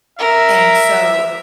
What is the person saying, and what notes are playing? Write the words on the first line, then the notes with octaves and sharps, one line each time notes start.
and so
A#4 E5